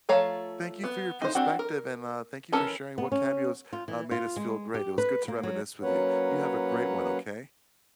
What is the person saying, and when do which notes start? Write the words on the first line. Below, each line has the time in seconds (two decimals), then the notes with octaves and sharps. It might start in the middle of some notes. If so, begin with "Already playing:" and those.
thank you for your perspective, and, uh, thank you for sharing what cameos, uh, made us feel great. It was good to reminisce with you. You have a great one, okay?
0.09 F3 A3 C#5 F5 A#5
0.84 B3
1.22 D#4 C5
1.35 C4 D4 F#4
1.59 A#4
2.52 E3 C#4 A4 A#4
2.98 B3
3.12 C#4
3.73 F4
3.88 E3
4.11 F4
4.36 G#3
4.74 G4
4.98 B4
5.28 A#3
5.43 F#3
5.83 F#3 A#3 C#4 B4 C#5 F#5